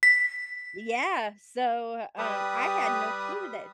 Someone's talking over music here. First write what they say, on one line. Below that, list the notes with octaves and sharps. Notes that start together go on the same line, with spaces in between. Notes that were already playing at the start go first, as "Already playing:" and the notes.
Yeah, so, um, I had no clue that,
B6
G3 G4 B4 D#6